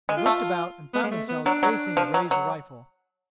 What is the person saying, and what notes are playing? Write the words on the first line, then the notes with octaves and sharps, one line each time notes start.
They whipped about and found themselves facing a raised rifle.
G#3
F4
A3
B3
G#3
A3
B3
F#3 D4
F#3
F3
F#3
F#3